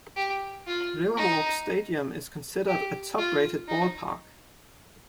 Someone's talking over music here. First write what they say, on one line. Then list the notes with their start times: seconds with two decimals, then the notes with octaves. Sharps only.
Riverwalk Stadium is considered a top rated ballpark.
0.16 G4
0.67 F4
1.17 D#4
2.68 G4
3.18 F4
3.68 D#4